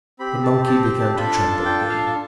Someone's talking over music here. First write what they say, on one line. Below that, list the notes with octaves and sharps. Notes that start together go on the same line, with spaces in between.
The monkey began to tremble again.
C4 G4 B5
A5
A5
G5
A5
D4 F4 A4 B5
A5
G5
F5